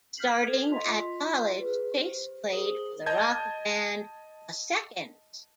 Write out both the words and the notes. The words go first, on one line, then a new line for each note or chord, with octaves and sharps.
Starting at college, Chase played for the rock band The Seconds.
F6 G6 B6 C7 F#7
A4 G#6 F7
F4 D#5 C6 B6
G#4 B4
G4 C5
G#4 A#4 C5 D#6 F#7 G7
D#5 A5 G6 G#6